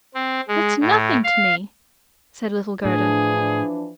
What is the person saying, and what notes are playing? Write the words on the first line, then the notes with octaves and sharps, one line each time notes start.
"That's nothing to me," said little Gerda.
C4
G#3
A2
F5
A2 E3 F3 D4 G#4